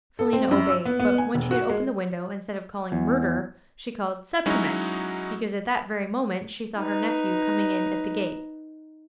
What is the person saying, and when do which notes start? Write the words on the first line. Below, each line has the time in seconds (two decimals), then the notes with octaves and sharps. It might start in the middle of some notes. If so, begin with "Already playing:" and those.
Selina obeyed; but when she had opened the window, instead of calling 'Murder!' she called 'Septimus!' because at that very moment she saw her nephew coming in at the gate.
0.19 A4
0.33 C4
0.51 F#2
0.70 E6
0.85 B3
1.00 B3
1.18 G#5
1.34 E1
1.51 F#4
1.70 G#3
2.92 E2
4.46 F#3 G#3 C#4 D#4 E4 F#4
6.78 D#4 B4